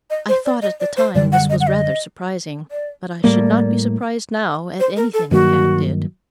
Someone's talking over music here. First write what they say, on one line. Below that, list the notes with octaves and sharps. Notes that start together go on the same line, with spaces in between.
I thought at the time this was rather surprising; but I should not be surprised now at anything a cat did.
D#5
C5
D5
D#5
D5
C5
F#2 D3 G3 D5
F#5
D#5
F#5
D#5
D5
A2 G3 A#3 D5
C5
A#4
A4
G2 D#3 F#3 A#3 F#4